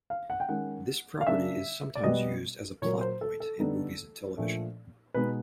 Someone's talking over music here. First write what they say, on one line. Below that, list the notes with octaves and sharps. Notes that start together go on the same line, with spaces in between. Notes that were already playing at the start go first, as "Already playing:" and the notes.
This property is sometimes used as a plot point in movies and television.
F5
F#5
G5
D#3 G#3 C#4 F#5
F5
C#3 F#3 A#3 D4 E5
D5
B2 G3 B3 D#5
A#2 F#3 A#3 C#5
C5
A4
A4
D3 G3 B3 D#4
A#2 F3 A3 D4
B2 G#3 B3 D#4 B4